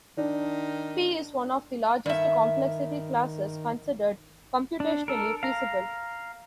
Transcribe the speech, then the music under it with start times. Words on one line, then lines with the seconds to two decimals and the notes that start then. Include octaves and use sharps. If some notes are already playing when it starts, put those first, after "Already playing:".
P is one of the largest complexity classes considered "computationally feasible".
0.17 D#3 D4
2.06 G2 D#3 E5
4.80 D4
5.08 A4 A#4
5.43 F5 A#5